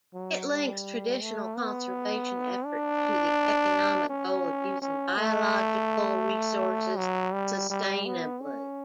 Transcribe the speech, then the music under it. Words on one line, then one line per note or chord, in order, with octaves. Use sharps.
It links traditional conservation efforts to the economic goal of using biological resources sustainably.
F#3
G3
A3
B3
D4
C#4
C#4
A3
F#3
G3
G3
B3
C#4